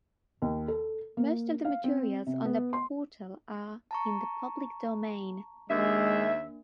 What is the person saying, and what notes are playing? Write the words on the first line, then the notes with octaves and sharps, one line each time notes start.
Most of the materials on the portal are in the public domain.
D#2
A4
A#3
F5
C4
C3
B3
C6
A5 A#5 C#6
D#2 G#3 A#3 D4 E5